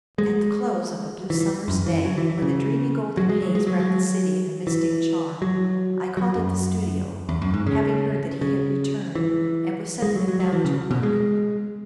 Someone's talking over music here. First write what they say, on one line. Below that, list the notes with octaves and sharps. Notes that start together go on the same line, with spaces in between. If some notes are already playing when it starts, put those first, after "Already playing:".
At the close of a blue summer's day, when the dreamy, golden haze wrapped the city in a mystic charm, I called at the studio, having heard that he had returned, and was settling down to work.
G#3
E3
E3
F#2
E3
F#3
E3
E3
C#3
F#3
G#3
F#3
G#3
F#3
F#3
E3
F#3
F#3
F#2
E2
F#2
G#2
C#3
C#3
E3
G#3
F#3
F#3
F#3
E3
C#3
B2
G#3